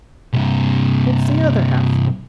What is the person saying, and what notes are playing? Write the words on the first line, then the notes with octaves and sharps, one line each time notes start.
What's the other half?
G2 C3